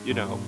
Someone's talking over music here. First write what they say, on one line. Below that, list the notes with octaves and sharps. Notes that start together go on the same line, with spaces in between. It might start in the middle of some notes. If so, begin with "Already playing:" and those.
you know,
Already playing: G#2 G#3
G2
A#2